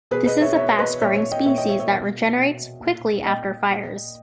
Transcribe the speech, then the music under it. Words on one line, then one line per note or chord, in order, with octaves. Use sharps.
This is a fast-growing species that regenerates quickly after fires.
B2 G#4 B4
B4 D#5
C#5 E5
B2 C#5 E5
B4 D#5
A#2 C#5 E5
C#5 E5
D#5 G5
A#2 C#5 E5
D#5 G5
C#5 E5
C#5 E5
B2
B2
A#2
A#2 D#5 G5
A#2